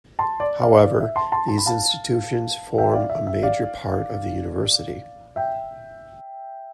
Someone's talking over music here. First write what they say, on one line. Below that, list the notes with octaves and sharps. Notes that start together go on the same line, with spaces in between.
However, these institutions form a major part of the University.
A5 C6
D5
D5 F5
D5
E5
A5 C6
A5 C6
A5
B5
F5 A5
E5 G5
D5 F5
E5
E5
D5 F5
E5 G5